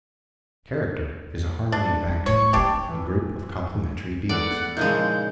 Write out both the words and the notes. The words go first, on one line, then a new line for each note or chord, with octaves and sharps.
Character is a harmony of actions, a group of complementary deeds.
D4
G3
A2 C#5
A3 B3 D4 G4
E3
E2 A3 D5 F#5
A#2 C#3 F3 G#3 D#4 E4 G6